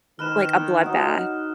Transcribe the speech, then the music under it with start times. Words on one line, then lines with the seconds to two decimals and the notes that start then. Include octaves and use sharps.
like, a bloodbath.
0.19 D#3 A#4 B4 F6 E7
0.84 F#3 D#4